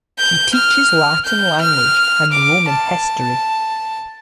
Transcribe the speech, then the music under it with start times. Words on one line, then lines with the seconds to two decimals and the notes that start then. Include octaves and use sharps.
She teaches Latin language and Roman history.
0.19 G6
0.54 F6
1.25 G6
1.61 F6
2.32 D6
2.69 A5